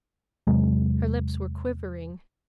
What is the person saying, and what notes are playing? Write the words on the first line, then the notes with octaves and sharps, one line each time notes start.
Her lips were quivering.
E2 C3 F#3 G#3